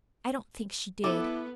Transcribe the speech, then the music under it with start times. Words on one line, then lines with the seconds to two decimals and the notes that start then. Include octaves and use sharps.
I don't think she did.
1.04 B3 E4 A4 B4 D6